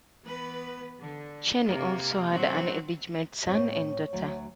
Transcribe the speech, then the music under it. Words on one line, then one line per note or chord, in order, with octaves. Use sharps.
Cheney also had an illegitimate son and daughter.
E3 B3 B4
D3
C3 A#3
A#2 F#3 C4 F#4
A2 C4 C#5
D2 F#3 A3